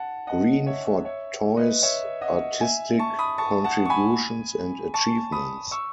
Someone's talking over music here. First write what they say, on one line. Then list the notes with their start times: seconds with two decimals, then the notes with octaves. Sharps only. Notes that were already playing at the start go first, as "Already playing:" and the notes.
Green for Toi's artistic contributions and achievements.
Already playing: F#5 A5
0.27 D#5 F#5
0.66 C#5 E5
1.05 C#5 E5
1.57 B4 D#5
1.83 C#5 E5
2.21 D#5 F#5
2.60 E5 G#5
2.99 A5 C#6
3.19 B5 D#6
3.38 A5 C#6
3.64 F#5 A5
3.85 C#6
3.90 G#5 B5
4.94 A5 C#6
5.32 B5 D#6
5.71 C#6 E6